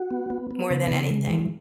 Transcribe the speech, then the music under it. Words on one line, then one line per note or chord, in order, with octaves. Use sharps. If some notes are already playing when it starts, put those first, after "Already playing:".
more than anything.
Already playing: F#4
B3
B3
B3
C#3
C#3
G#3
E3